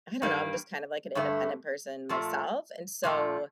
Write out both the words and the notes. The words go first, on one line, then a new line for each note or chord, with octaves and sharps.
I don't know, I'm just kind of, like, an independent person myself, and so
G2 D#3 G3 A#3
G2 D3 A3
A#2 F3 A3
A#2 F3 A3